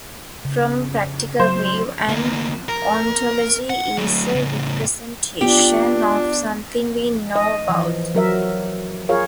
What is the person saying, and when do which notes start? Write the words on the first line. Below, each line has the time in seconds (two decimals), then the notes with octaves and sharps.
From a practical view, an ontology is a representation of something we know about.
0.45 C#3
1.40 F#3 C5
2.08 D2 A#3
2.68 A#4
3.70 F#5
3.98 F#3 A3
4.35 A2 C#3
5.41 B3 D4 F4 G4
7.36 D#5
7.69 E3 F3
8.15 F#3 A#4 E5
9.09 F4 G#4 A#4 C#5 F5